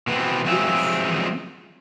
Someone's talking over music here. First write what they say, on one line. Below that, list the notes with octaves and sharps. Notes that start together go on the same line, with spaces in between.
Yes, mhm.
B2 E3 B3 C4
F3 F#3 G#3 C4 G#4 E5